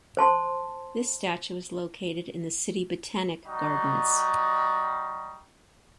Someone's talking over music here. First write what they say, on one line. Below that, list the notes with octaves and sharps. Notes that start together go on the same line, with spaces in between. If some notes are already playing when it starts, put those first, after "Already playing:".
This statue is located in the City Botanic Gardens.
C5 A5 C6
G3 D#4 F#4